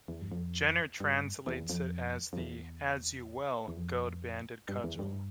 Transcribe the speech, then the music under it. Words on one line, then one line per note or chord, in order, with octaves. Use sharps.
Jenner translates it as the As-You-Will Gold-Banded Cudgel.
E2
G2
F2
G2
E2
F2
F2
E2
E2
F2
G2
E2
G2